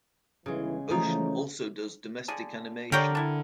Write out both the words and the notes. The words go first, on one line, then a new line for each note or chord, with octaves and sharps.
Ocean also does domestic animation.
G1 C#3 E3 G#3
C#3 E3 F3 A3 C#4 D#4
D3 G#4
D3 G4 A#4 C#5 D5 G5
D4 E4